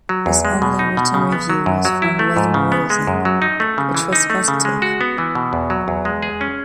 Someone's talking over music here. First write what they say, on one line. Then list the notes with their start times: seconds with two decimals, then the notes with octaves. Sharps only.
His only written review was from Wayne Rosing, which was positive.
0.09 F#3
0.26 E2
0.45 G#3
0.62 B2
0.79 D#4
0.97 B2
1.14 C#3
1.32 B3
1.50 F#3
1.66 F#2
1.85 F#3
2.02 E4
2.19 A3
2.37 G#2
2.54 C#3
2.72 B3
2.90 G#3
3.07 F#2
3.25 F#3
3.42 D#4
3.60 A3
3.78 C#3
3.95 E3
4.13 D#4
4.30 A3
4.48 C#3
4.65 G#3
4.82 F#4
5.01 B3
5.18 E3
5.35 B2
5.53 E2
5.70 F#3
5.88 E2
6.05 G#3
6.23 G#4
6.41 C#4